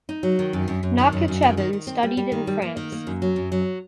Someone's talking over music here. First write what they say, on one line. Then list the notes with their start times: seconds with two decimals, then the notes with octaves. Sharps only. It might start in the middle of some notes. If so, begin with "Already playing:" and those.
Nakhichevan studied in France.
0.09 D#4
0.23 F#3
0.39 D#3
0.53 F#2
0.68 F#2
0.83 F#2
0.98 D#3
1.12 F#2
1.28 F#2
1.42 D#3
1.57 D#3
1.73 D#3
1.87 C4
2.03 G3
2.17 G3
2.32 D#3
2.47 G3
2.62 A#3
2.77 D#3
2.92 A#3
3.07 F#2
3.22 F#3
3.36 F#2
3.52 F#3